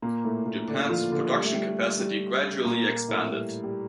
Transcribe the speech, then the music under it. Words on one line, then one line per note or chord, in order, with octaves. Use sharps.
Japan's production capacity gradually expanded.
A#2 A#3
A2 A3
A#2 A#3
D3 D4
F3 F4
D3 D4
G3
A3
G3
G3
A#2 A#3
A#2 A#3
A2 A3
G3
G3